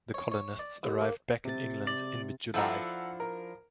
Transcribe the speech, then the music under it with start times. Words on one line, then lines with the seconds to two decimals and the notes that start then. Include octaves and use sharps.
The colonists arrived back in England in mid-July.
0.14 C#5
0.32 C#5
0.59 D5
0.83 D#2
1.01 A#3
1.45 C3 A6
1.87 D5
2.54 F3 D4 E4 A4 F#5 A#5
3.20 A#4